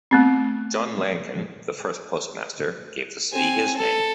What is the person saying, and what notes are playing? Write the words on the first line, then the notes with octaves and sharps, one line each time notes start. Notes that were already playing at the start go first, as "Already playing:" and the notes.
John Lankin, the first postmaster, gave the city his name.
A3 B3 C4
C4 G#5
A4